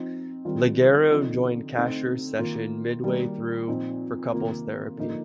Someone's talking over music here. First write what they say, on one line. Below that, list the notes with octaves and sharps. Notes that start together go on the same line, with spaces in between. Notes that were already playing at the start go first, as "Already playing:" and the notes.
Leggero joined Kasher's session midway through for couples therapy.
Already playing: F3 C4 D#4
D#3 G3 C4 F4
D3 F3 C4 D#4
D3 A3 C4 D#4
D#3 A#3 F4
D#3 G3 A#3
A#2 F3 C4 D#4
C3 D#3 A#3 F4
D3 F3 A#3 D#4